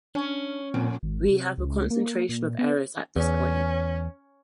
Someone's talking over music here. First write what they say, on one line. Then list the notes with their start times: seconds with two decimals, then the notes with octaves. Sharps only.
We have a concentration of errors at this point.
0.15 C#4 D4
0.74 F2 A#2 C4
1.03 G#1
1.30 C3
1.58 C#2
1.91 A#3
2.29 A#2
2.59 B3
3.16 E2 C#4